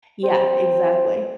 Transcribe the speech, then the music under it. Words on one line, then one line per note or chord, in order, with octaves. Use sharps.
Yeah, exactly.
C4